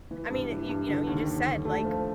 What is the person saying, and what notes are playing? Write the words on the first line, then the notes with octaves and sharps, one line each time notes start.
I mean, uh, you you know, you just said like, f
E3
G2
E3
G2
D3
D#2
D#2
D3
A3
F3